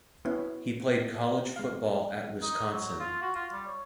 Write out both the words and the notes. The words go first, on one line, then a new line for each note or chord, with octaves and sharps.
He played college football at Wisconsin.
B3 C#4 E4
G#3 F5
D#4
F#3
F4
F#4
F4
G3
C#5